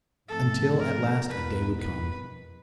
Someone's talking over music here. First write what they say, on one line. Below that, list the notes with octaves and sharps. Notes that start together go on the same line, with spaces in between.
Until at last a day would come....
G#2 F3 A3 C4 A4
A#4
E2 B2 G#3 B3 E4 B4
B4